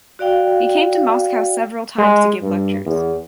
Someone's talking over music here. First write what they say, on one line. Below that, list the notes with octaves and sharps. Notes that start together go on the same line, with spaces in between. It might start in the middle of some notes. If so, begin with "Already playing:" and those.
He came to Moscow several times to give lectures.
F#4 D5 F5 G5
G#3
G2
E2